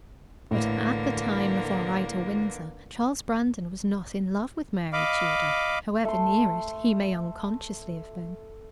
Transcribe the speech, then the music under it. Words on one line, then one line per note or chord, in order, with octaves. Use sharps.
But at the time of our ride to Windsor, Charles Brandon was not in love with Mary Tudor, however near it he may unconsciously have been.
A2 D3 E3 A#3
D#5 F5 B5 D6
A3 C6